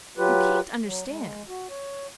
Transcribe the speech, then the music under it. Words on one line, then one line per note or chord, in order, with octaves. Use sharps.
You can't understand.
F#3 F4 G4 B4
F#3
G#3
F#4
C#5